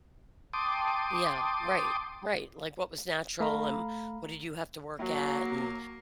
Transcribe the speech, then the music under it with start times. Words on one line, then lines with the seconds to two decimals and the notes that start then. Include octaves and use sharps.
Yeah, right right, like, what was natural and what did you have to work at and
0.53 G5 A5 C6 D6 D#6
3.40 A3 F5 A#5 B5
4.99 F#3 A#3